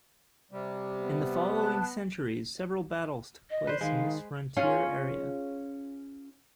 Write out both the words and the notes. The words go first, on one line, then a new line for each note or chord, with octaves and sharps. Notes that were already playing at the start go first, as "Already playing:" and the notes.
In the following centuries, several battles took place in this frontier area.
C3 G3
B3
A5 F#6
D#5
B4 C5 D5
D#3 G#3 F5
C#4 F4 G#4